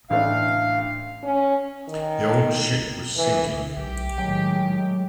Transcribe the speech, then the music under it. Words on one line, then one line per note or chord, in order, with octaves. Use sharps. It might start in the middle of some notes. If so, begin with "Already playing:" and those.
The old ship was sinking.
A1 A3 D4 F5
C#4
D#3
E3
B1 G4
A2 D#3 F#3 G#3 G5